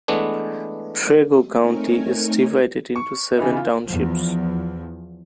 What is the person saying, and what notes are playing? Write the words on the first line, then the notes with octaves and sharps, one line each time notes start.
Trego County is divided into seven townships.
E3 G#3 A3 B3 D4
A3 C4 D#4 A#4 C#5 G#5
C#6
C#3 E3 B3 D#4
F4
E2 F3